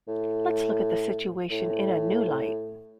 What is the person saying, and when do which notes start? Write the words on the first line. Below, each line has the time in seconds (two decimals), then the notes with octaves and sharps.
Let's look at the situation in a new light.
0.08 A2
1.51 A2